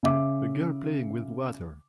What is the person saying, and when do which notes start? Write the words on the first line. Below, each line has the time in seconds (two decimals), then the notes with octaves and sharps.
A girl playing with water.
0.03 C#3 E5 D6